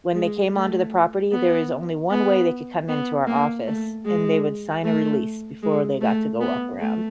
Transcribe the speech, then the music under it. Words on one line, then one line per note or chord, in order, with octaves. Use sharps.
When they came onto the property, there is only one way they could come into our office, and they would sign a release before they got to go walk around.
G#3
A3
B3
B3
B3
A#3
A3
G#3
A3
G#3
A3
B3
A3